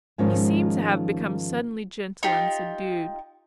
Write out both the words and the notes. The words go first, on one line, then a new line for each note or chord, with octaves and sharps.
He seemed to have become suddenly gentle and subdued.
G#2 D#3 F3 G#3 C#4 D#4
D#4 F4 G4